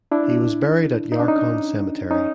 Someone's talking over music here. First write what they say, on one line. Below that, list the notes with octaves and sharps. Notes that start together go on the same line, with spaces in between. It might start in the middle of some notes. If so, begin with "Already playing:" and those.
He was buried at Yarkon Cemetery.
D4 E4
D#4
D4
C#4 D#4
C#4 D#4